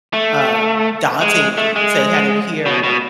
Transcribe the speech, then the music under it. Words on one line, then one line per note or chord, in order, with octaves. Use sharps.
uh, daunting to kind of hear
A3
G#3
A3
G#3
B2
B2